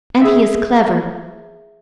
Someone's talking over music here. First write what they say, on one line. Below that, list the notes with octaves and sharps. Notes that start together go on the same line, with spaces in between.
And he is clever.
G#4 E5